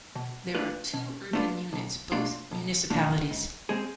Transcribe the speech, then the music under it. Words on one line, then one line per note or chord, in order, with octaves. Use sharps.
There are two urban units, both municipalities.
B2
A3 D4 F4 B4
B2
A3 D4 F4 B4
B1
B2 A3 D4 F4
B1
B2 A3 D4 F4
G#2
G#3 C4 G#4